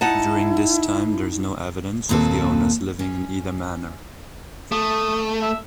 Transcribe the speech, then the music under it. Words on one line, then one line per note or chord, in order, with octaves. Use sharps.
During this time there is no evidence of the owners living in either manor.
D#4 E4 F#5 A5
D#2 A#2 C4 A4 B4
C#4
A3 D#6
E5